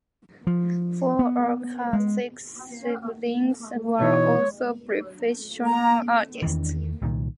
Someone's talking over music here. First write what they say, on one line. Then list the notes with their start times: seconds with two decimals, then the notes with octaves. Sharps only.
Four of her six siblings were also professional artists.
0.47 F3
1.19 B3
1.93 G#3
4.00 B2 E3 D#4 C#5
5.64 A#5
6.42 E2 D#3 E3
7.02 C2 A#2 D#3